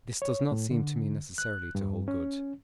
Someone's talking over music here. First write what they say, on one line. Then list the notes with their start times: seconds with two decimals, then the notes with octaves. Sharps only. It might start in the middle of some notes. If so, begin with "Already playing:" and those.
This does not seem to me necessarily to hold good.
0.22 C#5
0.51 A2
0.71 D3
1.38 F#6
1.75 G2
2.08 C#4